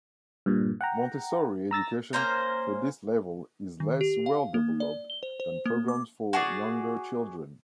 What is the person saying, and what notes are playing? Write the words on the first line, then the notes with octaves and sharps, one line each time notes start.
Montessori education for this level is less well-developed than programs for younger children.
G2 A#2
F#5 G5 A#5
A#5 E6 A6 A#6
A#3 C#4 C5 A#5
D#3
G4
F5
A#3
D5
G7
C5
C5
A#3
D6
F#4 G#4 D5